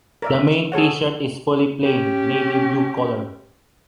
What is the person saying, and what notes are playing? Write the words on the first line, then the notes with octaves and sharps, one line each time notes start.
The main t-shirt is fully plain, navy blue color.
A#4 D5 E5
G#4 A4 C#5 F#5
C#4 G4